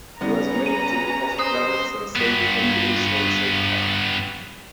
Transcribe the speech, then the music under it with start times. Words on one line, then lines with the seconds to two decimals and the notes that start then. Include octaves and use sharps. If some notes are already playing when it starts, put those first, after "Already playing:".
He was made Duke of Clarence and Saint Andrews at the same time.
0.21 C#3 G3 B3 C#4 B4 A#5
0.66 D#7
1.39 C5 D#6
2.16 G2 B3